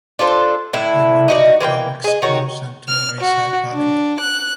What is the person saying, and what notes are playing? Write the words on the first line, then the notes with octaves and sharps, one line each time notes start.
He went to the public schools and to Marissa Academy.
D4 F4 A4 C5
A2 D3 E4
D#4 F#4 D5
E3 A#3 C5 G5
G#4 D#5
D#3 F#4 C#5
F6
F#4
D4
F#6